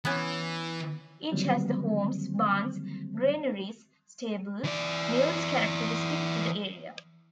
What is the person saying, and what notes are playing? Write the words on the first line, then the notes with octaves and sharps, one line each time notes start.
Each has the homes, barns, granaries, stables, mills characteristic to the area.
E3 B3 C#4
D3 D#3 F#3 G3 A#3 C4
E3 D5